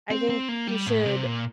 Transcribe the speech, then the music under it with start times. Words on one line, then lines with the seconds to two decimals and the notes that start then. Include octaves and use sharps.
I think you should
0.11 C4
0.29 C4
0.49 A#3
0.67 G3
0.87 A2
1.06 C3
1.25 A#2